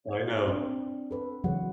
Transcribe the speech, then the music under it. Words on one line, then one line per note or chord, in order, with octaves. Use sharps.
I know.
C4 D4 D5
A4 B4
C#3 E3 F#3 G#3 F#4 F#5